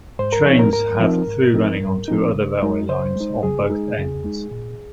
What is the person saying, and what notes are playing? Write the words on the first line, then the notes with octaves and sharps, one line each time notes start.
Trains have through running onto other railway lines on both ends.
G#2 C5
A#4
F3 C4 D#4 C#5
A#4
G#2 A#4
F3 C4 D#4
G#2
F3 C4 D#4
G#2
F3 C4 D#4
C#3
G#3 D#4
C#3 C5
G#3 D#4
C#3 G#4
G#3 D#4
C#3
G#3 D#4
A#2